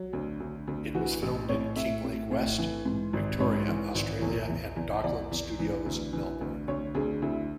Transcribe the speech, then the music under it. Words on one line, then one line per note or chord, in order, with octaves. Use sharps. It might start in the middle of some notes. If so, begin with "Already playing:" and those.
It was filmed in Kinglake West,Victoria, Australia and Docklands Studios Melbourne.
Already playing: F#3
D2
D2
D2
E3 F#4
A1
A2 C#5
A2 E5
A2
A2
E3
G#2
G#1
G#2 C#5
E3
G#1
E2
E2
E2
E2 D5
E2
E3
D2
E3
D2
D2 C#5
D2 G#4
D2 E4